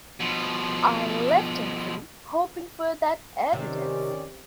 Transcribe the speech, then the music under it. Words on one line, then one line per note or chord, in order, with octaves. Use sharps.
I left him free, hoping for that evidence.
B2 F3
C3 D#3 C#4 D5